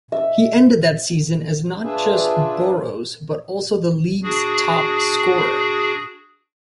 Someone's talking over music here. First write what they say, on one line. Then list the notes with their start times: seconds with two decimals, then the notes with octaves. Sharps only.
He ended that season as not just 'Boro's but also the League's top scorer.
0.12 E5
1.83 D4 F4 G#4 B4 E5
4.23 D4 F#4 G#4